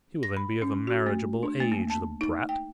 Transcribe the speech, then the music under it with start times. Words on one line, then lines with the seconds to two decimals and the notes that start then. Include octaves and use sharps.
He will then be of a marriageable age, the brat!
0.23 A#6
0.37 B5
0.62 C#4
0.87 F#4
1.06 A3
1.43 D4
1.60 A3
1.72 A#3
1.90 A5
2.21 D#4
2.49 G5